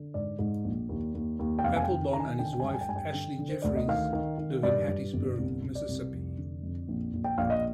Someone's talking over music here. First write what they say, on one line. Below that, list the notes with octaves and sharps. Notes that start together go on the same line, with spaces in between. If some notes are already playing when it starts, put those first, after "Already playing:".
Papelbon and his wife, Ashley Jefferies, live in Hattiesburg, Mississippi.
Already playing: D3
G#2 D5
G#2
A#1
D#2
D#2
D#2
G5
F1 F5
G#5
G5
D#3
D#3 A#5
G#5
D3 G5
G#5
G5
G#5
G2 G5
G#5
G5
G2 G#5
G5
D3 G5
D3
C5
D2 D5
D#5
D#3 F5
D#3
D#3
G2 D5
G2
G1
C2
C2
D5
C2
F1
D3
F2
A#1
A#1
G5
A#1 F5
D#5